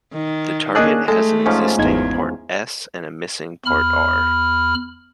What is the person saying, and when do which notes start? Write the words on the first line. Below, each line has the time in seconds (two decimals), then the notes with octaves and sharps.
The target has an existing part "S" and a missing part "R".
0.13 D#3
0.75 A#3 C#4 D4 G#4 D#5 F#6
1.08 G#3 A3 A4
1.46 G#2 F3 C#4
1.78 G#1 E2 D#4 G#6
3.66 E2 B5 F6